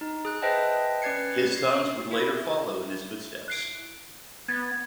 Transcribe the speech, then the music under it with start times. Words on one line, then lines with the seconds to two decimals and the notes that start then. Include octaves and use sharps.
His sons would later follow in his footsteps.
0.01 D#4
0.25 G#4 F#6
0.42 B4 C5 D#5 E5 G5 A5
1.02 C#4 B4 D5 G#6 C7 C#7
1.57 C7
2.11 E4
3.48 F#6 C7 D7
4.48 B3 G#6 A6